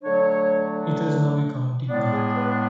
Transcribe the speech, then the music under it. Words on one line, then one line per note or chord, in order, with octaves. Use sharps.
It is now a county park.
D3 F#3 A3 D4 C#5
A2 G#3 B3 D4 D5
G#4
B4